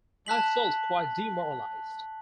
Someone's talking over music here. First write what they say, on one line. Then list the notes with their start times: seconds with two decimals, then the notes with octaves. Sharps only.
I felt quite demoralised.
0.26 A5 F#6 B6 F#7